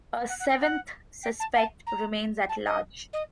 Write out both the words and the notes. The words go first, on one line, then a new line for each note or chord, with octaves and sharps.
A seventh suspect remains at large.
F#5
F#5
G5
F#5
G5
A5
A5
A#5
A5
D#5
D#5